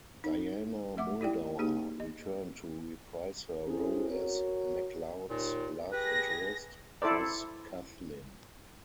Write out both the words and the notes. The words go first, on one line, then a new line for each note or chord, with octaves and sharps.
Diana Muldaur returned to reprise her role as McCloud's love interest, Chris Coughlin.
D#4
A3 E5 F#5 D6
E4 G4 D5 G5
A#3 D#4 G4 G#4
D#5
C4 C#4 E4 G#4 A4
F#4 A#4 C#5
D#2 A#2
G4 G#4 B4 A#6
E4 A4 C5 D5